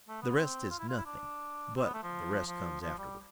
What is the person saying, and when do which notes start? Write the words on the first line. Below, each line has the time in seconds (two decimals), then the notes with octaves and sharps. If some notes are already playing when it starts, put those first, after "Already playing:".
The rest is nothing, but the rest comes afterwards.
0.08 A3
0.22 B3
0.36 C4
0.71 F4
0.79 E4
0.88 F4
0.97 E4
1.06 D4
1.76 C4
1.85 B3
1.94 A3
2.03 F3
2.46 F3
2.81 F3
2.98 G3